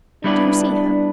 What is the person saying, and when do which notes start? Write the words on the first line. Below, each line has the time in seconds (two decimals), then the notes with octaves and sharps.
Do you see her?'
0.24 G3 B3 D4 E4 B4 D5